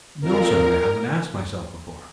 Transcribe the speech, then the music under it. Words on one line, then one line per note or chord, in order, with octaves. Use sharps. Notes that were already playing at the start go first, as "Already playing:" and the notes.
"No, sir, I haven't asked myself before."
F2 F3 A#4